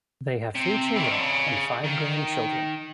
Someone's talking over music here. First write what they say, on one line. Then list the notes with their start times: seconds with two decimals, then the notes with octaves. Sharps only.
They have three children and five grandchildren.
0.55 C3
0.96 E3
1.03 D#3
1.12 D3
1.20 C#3
1.84 D#3